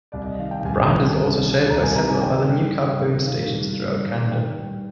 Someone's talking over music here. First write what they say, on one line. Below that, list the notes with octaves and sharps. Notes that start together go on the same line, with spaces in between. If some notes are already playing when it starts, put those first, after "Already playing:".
The brand is also shared by several other NewCap-owned stations throughout Canada.
C2 D5
D#5
D#3 F5
G5
C2 G#5
C3
C2
D#3
C2 A#5
G#5
C3 A#5
G#5
D#3 G5
G2
G2
D#3
D#3 F5
G2
G2
D#3
D#3 G5
G2